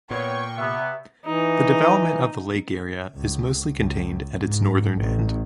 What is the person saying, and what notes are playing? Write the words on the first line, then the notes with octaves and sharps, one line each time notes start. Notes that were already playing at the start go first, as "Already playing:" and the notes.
The development of the lake area is mostly contained at its northern end.
A#2 B3 C#5 G5 C#6
C3 B3 E5
E3 D#4
C#2
C#2
G#2
A1